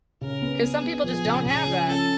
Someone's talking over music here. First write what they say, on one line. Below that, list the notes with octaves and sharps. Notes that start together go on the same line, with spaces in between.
'cause some people, just, don't have that.
C#3 A#4
B3
B3 G#4
B3
F3 G#4
C#3
C#3 G#4
F3
C#4 A4